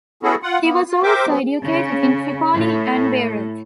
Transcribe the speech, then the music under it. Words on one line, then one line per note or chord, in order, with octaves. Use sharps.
He was also educated in Tripoli and Beirut.
B3 C#4 E4 F#4 G#4 A4
F4 F#5
A#3 B3
F4
A#4 C5 E5 G5 D6
F#3 B3 C4
C#3
A2